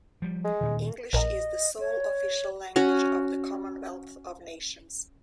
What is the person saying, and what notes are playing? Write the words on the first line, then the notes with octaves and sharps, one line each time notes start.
English is the sole official language of the Commonwealth of Nations.
F3 G3
G#3
D2 A#2 D#3
A#1 A#4 D#5
C#5
C#4 F#4